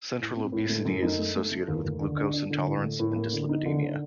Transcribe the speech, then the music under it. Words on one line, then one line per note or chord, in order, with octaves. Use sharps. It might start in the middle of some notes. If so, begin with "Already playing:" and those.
Central obesity is associated with glucose intolerance and dyslipidemia.
A2
C4
A2
A3
F#2
D#4
A3
A3
A3
D#2
D#2
D3
D4
D4
D3
A2
A3
A2
A#3
D3
D#4
D3
D3